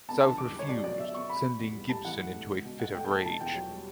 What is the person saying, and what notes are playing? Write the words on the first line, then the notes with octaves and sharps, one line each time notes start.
South refused, sending Gibson into a fit of rage.
B3 A5
D3 A5
E2 D6
G3
C#5
B2 D5
F#3 D5
B2 E5
B3 C#6
B3 B5
B2
E2
G3
A2 A5
E3 F#5
A2
A3
C#2
B2
C#2 F#5
A3 G5
G5
A3 A5
B2 A5
E2 G5
F#3
G3